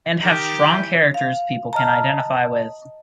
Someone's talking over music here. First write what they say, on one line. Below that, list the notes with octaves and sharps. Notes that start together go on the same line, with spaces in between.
And have strong characters people can identify with.
D#3 G4
E3
F5
D#5 A5 A#5 F6